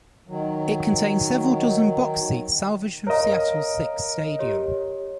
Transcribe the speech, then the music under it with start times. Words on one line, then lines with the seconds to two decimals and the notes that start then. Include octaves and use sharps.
It contains several dozen box seats salvaged from Seattle's Sick's Stadium.
0.28 D#3 F#3
3.07 A#4 C#5 D#5 F5
4.39 G4 C#5